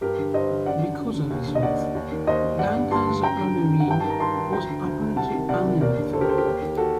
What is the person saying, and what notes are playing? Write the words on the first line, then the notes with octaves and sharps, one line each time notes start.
Because of his youth, Duncan's early reign was apparently uneventful.
G2 G4 A#4
D3
G2 C5 D#5
D3
F#2 D5 F#5
D3
F#2
D3
D#2
D3
D#5
D#2 D5 F#5
D3
D#2
D#3
D#2 C5 D#5
D#3
G2 D5 F#5
D3
G2 A5 C6
D3
F#2 G5 A#5
D3
F#2
D3
F#5
G2 G5
D#3 A5
A#5
G2 A5 C6
D#3
D2 G5 A#5
D3
D2
D3
C2 F#5 A5
C3 D#3
C2 D5 F#5
C3 D#3
D#2 A#4 D5
D3
D#2 A4 C5
G4 A#4
D3 A4 C5
G4 A#4
D#2
D#3
F#4 A4